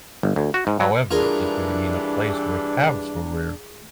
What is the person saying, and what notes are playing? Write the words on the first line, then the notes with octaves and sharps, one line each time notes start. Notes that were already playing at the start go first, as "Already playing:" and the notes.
However, it may mean a place where calves were reared.
G1
D2
F#4
G#2
F#3
G2 E3 D4 F4 G#4 A#4